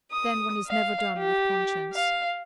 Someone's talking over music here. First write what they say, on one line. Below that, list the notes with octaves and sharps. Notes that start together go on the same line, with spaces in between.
Then, one is never done with conscience.
D#6
F5
G4
F5